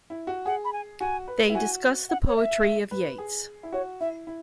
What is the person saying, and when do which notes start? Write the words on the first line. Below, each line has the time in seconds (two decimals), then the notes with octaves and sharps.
They discuss the poetry of Yeats.
0.10 E4
0.27 F#4
0.46 G#4 F#5
0.65 B5
0.73 G#5
1.00 F#4 G#5
1.28 B4
1.50 E4
1.54 F#4 G#5
2.09 F#5
2.27 C#5
2.36 E5
2.91 B4
3.18 G#4
3.63 E4
3.72 F#4 C#5
4.01 E4 E5
4.27 E4